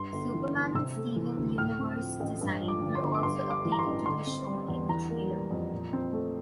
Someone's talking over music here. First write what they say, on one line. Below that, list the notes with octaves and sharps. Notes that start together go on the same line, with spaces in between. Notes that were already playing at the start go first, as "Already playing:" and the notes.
Superman and Steven Universe’s designs were also updated to be shown in the trailer.
Already playing: G2 C6
G1
E3
G1
C3 E6
A3
E3
D2
A2 F6
C4
F3
A1
G2
F3
D6
D3
C6
G1
D6
G2 C6
G3
D6
E3
A#5
C6
A1
D3 C6
C4
G3
E2
E3 A#5
A#3
G3
F2
A#2
C4
A3